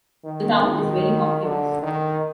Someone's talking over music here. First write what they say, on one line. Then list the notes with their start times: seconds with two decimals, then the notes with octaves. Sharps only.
The town is very mountainous.
0.24 D#3
0.64 D#3
1.43 D3
1.82 D#3